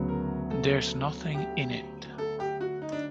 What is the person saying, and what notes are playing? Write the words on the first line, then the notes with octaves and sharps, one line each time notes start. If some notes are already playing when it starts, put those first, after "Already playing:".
There's nothing in it.
Already playing: D2 C#3 F#3 B3
A#4
A4
G4
A4
G4
F#4
D#4
D4